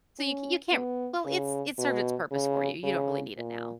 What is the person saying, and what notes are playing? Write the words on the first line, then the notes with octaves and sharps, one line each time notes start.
So you ca you can't well, it's it's served its purpose for you. You don't really need it now.
C#4
B3
C#3
B2
C#3
C#3
A#2